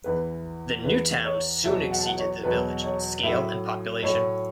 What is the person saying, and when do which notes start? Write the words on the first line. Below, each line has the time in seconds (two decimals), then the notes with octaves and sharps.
The new town soon exceeded the village in scale and population.
0.04 E2 E3 B4
0.84 E2 E3 B4
1.24 C#5
1.64 E2 B2 F#3 E5
1.91 F#5
1.98 A5
2.06 F#5
2.18 C#5
2.43 E2 B2 F#3 B4
2.83 C#5
3.23 A2 F#3 E5
4.03 A2 F#3 C#5